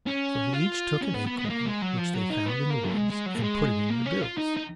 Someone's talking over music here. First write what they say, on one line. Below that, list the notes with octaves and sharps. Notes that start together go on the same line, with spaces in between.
So they each took an acorn which they found in the woods and put it in their bills.
C#4
F4
C#4
B3
B3
B3
G#3
A#3
G#3
F#3
F3
F#3
D#4
B3
A#3
F#3
G#3
G#3
F#3
A#3
G#3
A#3
C#4
F4
D#4
D#4